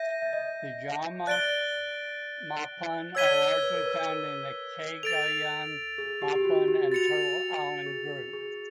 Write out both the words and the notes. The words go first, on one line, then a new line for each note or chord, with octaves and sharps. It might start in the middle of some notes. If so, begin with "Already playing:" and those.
The Jama Mapun are largely found in the Cagayan Mapun and Turtle Island Group.
Already playing: E5 G6 A#6 D#7
E5
D#5
D5 F#6 A6 D7 G7
C#5 E6 G#6 B6 D#7 G7
B4
A#4
B4
A#4
A4 A6 D7 F7
G#4
G4
G4
F#4
G4
F#4 A6 C#7 F7
G#4
G#4